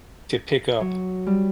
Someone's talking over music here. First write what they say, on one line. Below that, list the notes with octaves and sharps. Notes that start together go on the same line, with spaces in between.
to pick up
F#3
G3